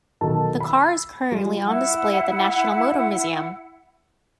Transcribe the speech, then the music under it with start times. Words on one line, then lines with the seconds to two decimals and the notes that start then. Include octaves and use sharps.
The car is currently on display at the National Motor Museum.
0.21 B1 D#3 F#4 A4 A5
0.60 B5 E6
1.32 F3 G3 F4
1.66 E4 F#5